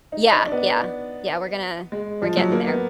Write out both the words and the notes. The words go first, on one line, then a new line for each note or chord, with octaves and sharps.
Yeah, yeah, yeah. We're gonna we're getting there.
D#4
D#4
D4
B3
G#3
F3
F#3
A#3
B3